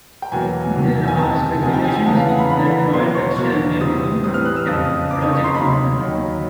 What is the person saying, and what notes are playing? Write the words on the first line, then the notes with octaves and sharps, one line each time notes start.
There are speculations that Royal Dutch Shell may become a project partner.
G5
E2 B2 F#3 A#3 G#5
E2 B2 F#3 A#3
G#5
D2 C3 D#3 A5
D2 C3 D#3 G#5
G5
G#5
G#5
E2 C#3 E3 A5
F5
F#5
B5
E2 C#3 E3 B5
B5
E2 B2 F#3 A#3 C6
C#6
E2 B2 F#3 A#3 C#6
A2 E3 G3 C4 D#6
A2 E3 G3 C4 D#6
F6
F#6
E6
F2 C#3 F3 D#6
F2 C#3 F3 D6
D#6
C#6
C6
D#2 D#3 F#3 B5
D#2 D#3 F#3